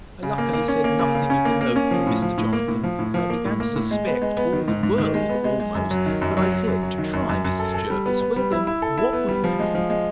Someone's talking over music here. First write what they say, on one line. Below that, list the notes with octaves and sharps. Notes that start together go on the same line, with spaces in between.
I luckily said nothing of the note from Mr. Jonathan; for I began to suspect all the world almost: but I said, to try Mrs. Jervis, Well then, what would you have me do?
C#3
A#3
A#3
C#4
A#3
C#3
C#3
C#4
A#3
A#3
C#4
F3
A2
F3
A2
A#3
A2
F3
A2
F3
A#3
A2
A#3
A2
G#3
B3
G#3
B3
D#3
G#2
G#2
D#3
G#3
B3
G#3
G#3
F#2
F#3
D#3
F#2
F#3
F#3
F#2
F#3
D#3
F#2
F#2
F#2
A4
A4
G3
B3
B3
G3
E4
E4
A4
E4
B3
G3
F3
G#3
F3
G#3